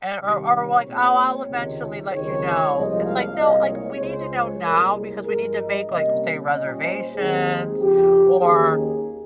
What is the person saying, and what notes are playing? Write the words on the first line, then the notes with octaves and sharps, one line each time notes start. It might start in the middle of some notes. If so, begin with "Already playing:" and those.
and or or, like, "Oh, I'll eventually let you know." It's, like, "No, like, we need to know now because we need to make," like, say, "reservations," or,
C3 D#3 G3
C#5
A#2 G#3 C4 C#5
C#5
C#2 C3 D#3 G#3
C#2 C3 D#3 G#3 C4 C#5
C2 A#2 F3 G#3 D#5
F5
C2 A#2 G#3 C4 D#5
C#5
C#2 C#3 G#3 C5
C#5
C2 A#2 G#3 A#4
G#4
G2 F3 G#3 A#4
D#5
C3 G3 A#3 C#4 D#5
A#2 G3 C#4 D#5
C5
D#2 D#3 G#3 C4 G#4
F2 C#3 F3 G4
D#2 D#3 A#3 C#4 G#4